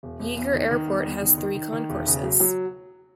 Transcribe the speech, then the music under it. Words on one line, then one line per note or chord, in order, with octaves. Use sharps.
Yeager Airport has three concourses.
E1
E1
E2
D#3
D#3
E2
E2
D#3
D#3
D#3
D#3
E1
C#3
F#3
F#3